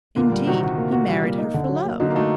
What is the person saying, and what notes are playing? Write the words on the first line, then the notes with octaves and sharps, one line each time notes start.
Indeed, he married her for love.
A#2 D3 A#3
G3
C3 D#3 F#4
F#4
A#3
F#4
G3
A#3
D#4
D3
F#3
A#3
D3 F#3 D#4
A#3
F#3 A3 D#4